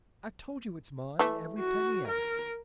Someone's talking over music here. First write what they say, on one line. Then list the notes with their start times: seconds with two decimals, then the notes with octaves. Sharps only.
"I've told you it's mine, every penny of it!"
1.19 E3 A3
1.58 F#4
2.08 A#4